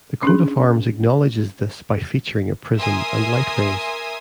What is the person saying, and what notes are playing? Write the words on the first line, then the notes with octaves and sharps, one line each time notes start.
The coat of arms acknowledges this by featuring a prism and light rays.
C#4 D4 G#4
A#4 E5 G#5 C6 D#6 E6